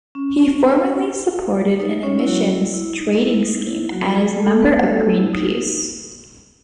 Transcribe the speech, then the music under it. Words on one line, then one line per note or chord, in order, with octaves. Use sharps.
He formerly supported an emissions trading scheme and is a member of Greenpeace.
C#4
C#4
D#4
C#4 C#5
E4
F#3 F#4
E4
D#4
E4
D#4
E4
F#3 F#4
G#3 G#4
A3 A4
B3 B4
A3 A4
E4
D#4